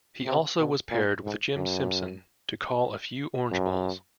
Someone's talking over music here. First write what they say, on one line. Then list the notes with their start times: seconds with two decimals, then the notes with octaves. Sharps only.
He also was paired with Jim Simpson to call a few Orange Bowls.
0.25 C3
0.59 B2
0.91 A#2
1.24 G#2
1.56 F#2
3.51 F#2